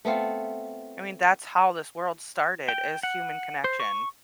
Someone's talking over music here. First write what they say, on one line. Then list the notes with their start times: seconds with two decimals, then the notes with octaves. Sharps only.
I mean, that's how this world started is human connection.
0.05 A3 B3 C4 F4
2.69 G5
3.03 F#5
3.64 C5
3.80 C#6